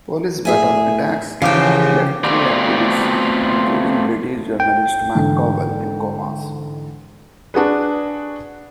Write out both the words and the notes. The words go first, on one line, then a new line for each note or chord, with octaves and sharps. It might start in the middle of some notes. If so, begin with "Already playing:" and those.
Police baton attacks left three activists, including British journalist Mark Covell, in comas.
A2 G#4 E5 G#5
D#2 G#2 C#3 E3 F3 G4 F5 G5
A3 B3 C4 F4 F#4 D5
G5
G#2 D3 E3
D4 F#4 G#4 B4